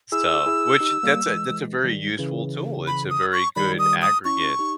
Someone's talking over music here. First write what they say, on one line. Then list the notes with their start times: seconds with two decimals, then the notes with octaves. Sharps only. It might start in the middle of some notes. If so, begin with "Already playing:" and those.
So, which that's a that's a very useful tool. It's a very good aggregate
0.12 E4 G#4 E6
0.46 E4 G#4
0.80 D#4 G4
1.03 G3 A#3
1.27 E3 G#3
1.50 E3 G#3
1.84 D#3 G3
2.18 C#3 E3
2.87 B5
3.10 D#6
3.33 C#6
3.56 D#3 G3 B5
3.79 D#6
4.02 D#6
4.25 C#4 E4 C#6
4.59 D#4 G4